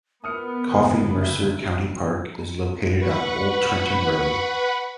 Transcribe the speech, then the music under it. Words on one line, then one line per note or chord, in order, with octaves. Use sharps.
Coffee Mercer County Park is located on Old Trenton Road.
B3 A#4 D#6 F6 C#7
F#1 F2 D3
E5
B4 F#5 B5 C#6